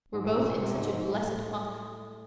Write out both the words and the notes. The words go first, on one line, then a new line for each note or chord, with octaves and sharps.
We're both in such a blessed funk.
G#2
A2
A#2
B2
C#3
C3
G#2
G#2
A2